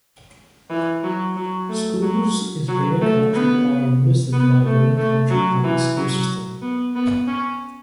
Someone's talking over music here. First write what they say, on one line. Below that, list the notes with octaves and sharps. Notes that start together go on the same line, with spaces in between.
Schools is Greene County are administered by the Greene County Public School system.
E3
F#3
F#3
A3
F#3
F#3
A3
B3
B3
A3
A3
F#3
E3
F#3
B3
B3
C#4